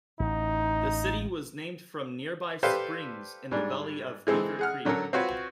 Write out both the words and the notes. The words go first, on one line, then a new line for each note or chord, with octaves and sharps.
The city was named from nearby springs in the valley of Beaver Creek.
A1 D#4
G4 A4 B4 C5 D5 F5
G#2 G3 D4
E3 G#3 C4 A4
G#4 F#5 F6
D3 F#3 C#4 A4 A#4
C4 F4 F#4 B4 C#5